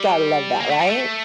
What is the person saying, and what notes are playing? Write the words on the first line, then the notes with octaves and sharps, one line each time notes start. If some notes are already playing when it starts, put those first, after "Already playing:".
Gotta love that, right?
Already playing: G3
A#3
A3
G3
A3